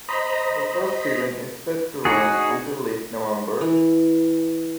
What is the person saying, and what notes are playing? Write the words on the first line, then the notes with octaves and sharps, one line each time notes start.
The first season is set to run until late November.
C5 D#5 A#5 B5
D#4 F#4 G#4
E3